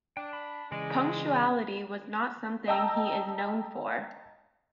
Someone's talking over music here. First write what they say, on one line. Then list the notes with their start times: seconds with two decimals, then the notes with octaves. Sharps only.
Punctuality was not something he is known for.
0.17 D4 G5
0.33 B5
0.71 C#3 E3 G#3 D5
2.68 D#5 G5 A5 A#5 E6